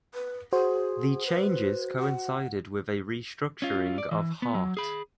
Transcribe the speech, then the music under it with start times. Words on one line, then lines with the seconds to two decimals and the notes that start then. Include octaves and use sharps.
The changes coincided with a restructuring of Heart.
0.14 B4
0.53 F#4 G#4 C5
1.26 B4
1.99 F#5
3.62 C#4 F4
3.98 D5
4.11 E3
4.42 B3
4.55 F#3
4.77 G#4 B5